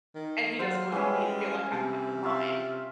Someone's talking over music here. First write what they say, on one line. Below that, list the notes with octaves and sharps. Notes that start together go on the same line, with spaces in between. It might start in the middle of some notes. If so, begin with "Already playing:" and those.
and he doesn't want me to feel like I'm back in mine,
D#3
F#3 C5 F5 F#5
E3 G3 G#3 C#4
C3
F4 E5